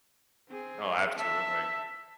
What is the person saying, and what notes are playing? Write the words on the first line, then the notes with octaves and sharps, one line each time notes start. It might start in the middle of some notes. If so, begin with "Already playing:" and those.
Oh, absolutely.
C4 G#4
E5 A5